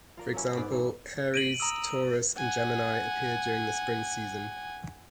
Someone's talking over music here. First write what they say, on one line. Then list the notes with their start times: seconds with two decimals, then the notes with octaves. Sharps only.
For example, Aries, Taurus, and Gemini appear during the spring season.
0.17 F4 A#4 D5
0.34 F#3 A#3 C#4 E4
0.55 G#2 B4 D5 G5
0.71 E3 F#3
1.34 D7 D#7 F#7
1.60 A#5 D#6 E6
2.37 F#5 G#5